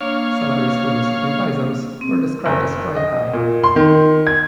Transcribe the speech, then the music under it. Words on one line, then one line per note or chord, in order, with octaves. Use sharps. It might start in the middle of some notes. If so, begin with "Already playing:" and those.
Salaries for the supervisors were described as "quite high".
A#3 D4 C#5 F5
C4
F#1
D#5
A#2
C6
D#3
G#6